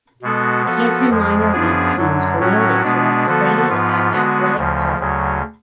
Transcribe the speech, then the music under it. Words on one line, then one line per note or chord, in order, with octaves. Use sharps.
Canton minor league teams were noted to have played at Athletic Park.
B2 G#3 B3 F#4 A4
F3 B3 F#4 A4
F2 F3 G#3
F#2 F3 B3 D4 G#4
F#2 D3 F#3
A2 F#3 C#4 F#4
B2 G#3 B3 D4
D3 F3 B3 F#4 A4
G#2 F3 B3 F4
D3 G#3 B3 F#4
D2 C#3 F3
D2 C#3 F#3